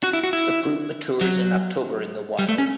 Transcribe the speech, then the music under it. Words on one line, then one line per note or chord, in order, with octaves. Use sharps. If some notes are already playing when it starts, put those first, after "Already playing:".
The fruit matures in October in the wild.
F#4
E4
F#4
E4
F#3
G3
A3
C#4